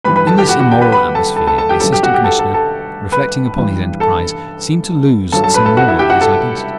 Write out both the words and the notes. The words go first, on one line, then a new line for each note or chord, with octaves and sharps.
In this immoral atmosphere the Assistant Commissioner, reflecting upon his enterprise, seemed to lose some more of his identity.
G2 E3 G3 B4 B5
B4 B5
A4 A5
G4 G5
F#4 F#5
F#4 F#5
G4 G5
B4 B5
B4 B5
A4 A5
A4 A5
A4 A5
A4 A5
G4 G5
G2 F#3 A4 A5
G4 G5
F#4 F#5
G4 G5
A4 A5
A4 A5
A4 A5
B4 B5
G2 E3 G3
A4 A5
G2 F#3 A4 A5
A4 A5
B4 B5
A4 A5
F#4 F#5
E4 E5
G4 G5
F#4 F#5
A4 A5